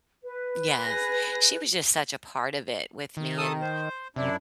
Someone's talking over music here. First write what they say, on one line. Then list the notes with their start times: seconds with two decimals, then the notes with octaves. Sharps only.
Yes. She was just such a part of it with me, and
0.23 B4
0.82 G#4 A#6
3.17 D#3
3.38 A4 A5 D#6
3.61 C5
4.16 F#2 C3 D4 E4